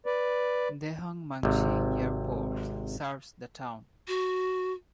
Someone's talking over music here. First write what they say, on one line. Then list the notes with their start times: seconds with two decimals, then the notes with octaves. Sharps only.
Dehong Mangshi Airport serves the town.
0.06 B4 D5
1.43 G#1 C3
4.08 F#4